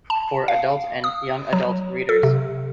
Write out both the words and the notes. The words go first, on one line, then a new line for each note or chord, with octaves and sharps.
For adult and young adult readers.
A5
F5
D#6
F#3
A4
C3